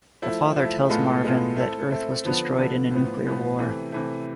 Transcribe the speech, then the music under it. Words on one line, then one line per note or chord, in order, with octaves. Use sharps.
The father tells Marvin that Earth was destroyed in a nuclear war.
F3 A3 E4
F3 A3 E4
A2 G#3 B3 F4 A4
A2 G#3 B3 F4 A4
A3 C4 E4 A4
A3 C4 E4 A4
D3 F3 B3 D4
D3 F3 B3 D4
A2 F3 B3
A2 F3 B3
C3 E3 A3
C3 E3 A3